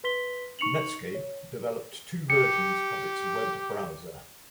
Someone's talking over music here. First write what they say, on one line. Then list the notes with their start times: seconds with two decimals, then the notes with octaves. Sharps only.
Netscape developed two versions of its web browser.
0.04 B4 C6 B6 G7
0.59 D#4 C#6 C#7 F7 F#7
1.15 C#5
2.30 G4 C#7